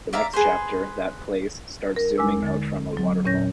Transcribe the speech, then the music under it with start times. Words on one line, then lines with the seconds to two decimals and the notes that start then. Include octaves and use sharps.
The next chapter, "That Place", starts zooming out from a waterfall.
0.13 D5 E5 F5 A#5
0.33 G#4 B4 C5
1.96 A#4
2.18 D#2 G#3 G#5 D6 E6
2.43 D3 A6
2.93 F#3 C4
3.25 E2 A#2 C#4 C#5 G6 A#6